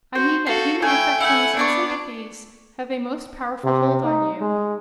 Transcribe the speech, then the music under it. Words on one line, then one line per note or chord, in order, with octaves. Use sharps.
I mean, that human affections and sympathies have a most powerful hold on you.
F#4 C5
F4 F#4 A4
A3 C#4 E4 G5 G#5
A3 E4 F#5 G#5
B3 D4 E4 D5 C#6
C3
D#4
G#3